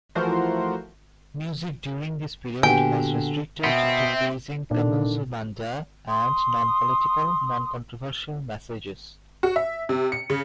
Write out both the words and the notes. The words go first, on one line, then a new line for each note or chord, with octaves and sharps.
Music during this period was restricted to praising Kamuzu Banda and non-political, non-controversial messages.
E3 F3 A3 F#4 A#4 C5
A#2 D3 B3 F#4 G4 G5 G#5
B2 B3 C4 E5
A#2 D3 D#3 D4
C6 D#6
F#4
E5
C3
C#7
C#3